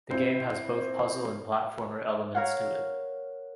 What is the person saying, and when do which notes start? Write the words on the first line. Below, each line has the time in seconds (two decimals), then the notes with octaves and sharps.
The game has both puzzle and platformer elements to it.
0.11 C4 E4
2.35 A#4 C#5 F5 F#5